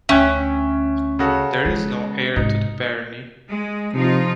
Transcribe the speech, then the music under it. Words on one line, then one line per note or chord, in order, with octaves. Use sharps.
There is no heir to the barony.
D2 C#4 E5 G5 F#6
C#3 F#4 A4
G#3
G#2 C3 D#4
G#3
C3 F3 D#4 F4